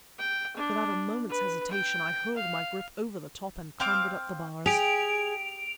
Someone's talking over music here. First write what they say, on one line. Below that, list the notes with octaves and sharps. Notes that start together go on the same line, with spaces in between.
Without a moment's hesitation I hurled my grip over the top and clambered up the bars!
G5
D4
B4
G5
F5
C4 F5 D6
G4 G#4 D7 F7